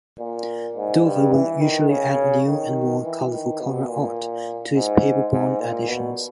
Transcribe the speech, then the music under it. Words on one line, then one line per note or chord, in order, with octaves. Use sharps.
Dover will usually add new and more colorful cover art to its paper-bound editions.
A#2
G#2
G2
E3
D#3
C#3
D#3
E3
D#3
B2
A#2
G#2
G#2
A#2
B2